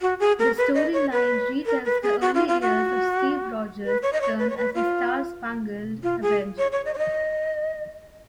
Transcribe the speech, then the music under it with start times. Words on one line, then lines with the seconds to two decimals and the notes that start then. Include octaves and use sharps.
The storyline re-tells the early years of Steve Rogers' turn as the Star-Spangled Avenger.
0.02 F#4
0.20 G#4
0.39 A#4
0.57 B4
0.74 D#5
0.93 C#5
1.12 B4
1.66 A#4
1.85 B4
2.03 G#4
2.21 F#4
2.34 F4
2.48 F4
2.62 F#4
3.85 B4
4.02 C#5
4.13 D#5
4.21 C#5
4.39 B4
4.50 C#5
4.57 B4
4.75 F4
6.03 F4
6.22 G#4
6.58 C#5
6.72 C#5
6.85 D#5
6.94 C#5
6.98 D#5